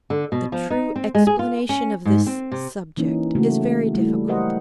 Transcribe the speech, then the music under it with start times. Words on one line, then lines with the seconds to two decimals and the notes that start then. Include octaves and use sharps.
The true explanation of this subject is very difficult.
0.10 D3
0.32 B2
0.52 F3
0.70 D#4
0.96 C4
1.15 G#3
1.27 G#4
1.39 F4
1.69 C#4
2.05 G#2
2.27 C4
2.52 C3
2.97 E3 A#3 C#4 D#4
3.35 C#3 A3 A#3 F#4
3.94 G3 A3 E4
4.27 F#3 G4 A#4 C5 D#5 F#5